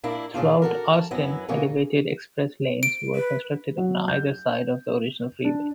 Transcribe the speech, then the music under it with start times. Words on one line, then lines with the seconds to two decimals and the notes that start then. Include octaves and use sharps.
Throughout Austin, elevated express lanes were constructed on either side of the original freeway.
0.04 A#2 A#3 D4 E4
0.34 A#2 C#3 D4 F4
0.62 F#4 A4 A#4
0.93 A5
1.11 F#2 F#3 B3 E4
1.48 B2 D3 E3 A#3 C#4
2.83 D7
3.15 B4
3.77 F#3
4.08 G6
5.44 D4